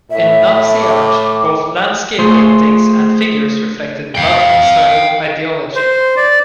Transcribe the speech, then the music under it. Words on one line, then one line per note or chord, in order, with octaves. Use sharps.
In Nazi art, both landscape paintings and figures reflected "blood-and-soil" ideology.
A2 E5
D6
A3 F4 G#4 C5
F5 G5
C5
D5